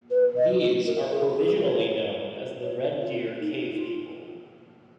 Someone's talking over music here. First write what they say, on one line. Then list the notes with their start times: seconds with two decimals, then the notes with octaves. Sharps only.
These are provisionally known as the Red Deer Cave people.
0.10 B4
0.36 D#5
0.61 F#4
0.86 A#4
1.11 G#4
1.38 G#4
1.62 C#5
2.64 C#5
3.02 F4
3.40 D#4
3.69 D#4
3.77 F4